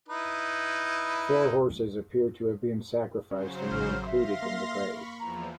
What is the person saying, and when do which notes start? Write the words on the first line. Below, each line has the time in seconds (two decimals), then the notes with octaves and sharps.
Four horses appear to have been sacrificed and were included in the grave.
0.08 D#4 E4 B4
3.31 C#3 F#3 C#4 C5
3.72 A1 F6
4.06 E5 F5 C6 A#6
4.42 A#3
4.87 B5 C#6
5.20 E2 E3 F3 A#5